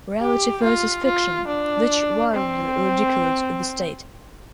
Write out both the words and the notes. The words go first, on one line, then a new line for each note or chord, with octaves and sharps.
Reality versus fiction, which widely ridiculed the state.
G4
F4
F4
D4
C4